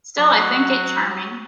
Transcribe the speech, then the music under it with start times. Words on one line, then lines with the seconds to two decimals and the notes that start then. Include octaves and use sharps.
Still I think it charming.
0.18 F#3 F#5